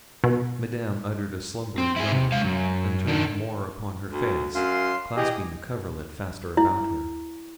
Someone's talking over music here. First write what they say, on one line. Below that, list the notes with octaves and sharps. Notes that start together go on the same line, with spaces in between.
Madame uttered a slumbering moan, and turned more upon her face, clasping the coverlet faster about her.
B2
C4
E4 G#4
C3
G#3 F5
F#2
D#3 D4
D2
F#2 F5 C6
E3 G4 G#4 D#5
E4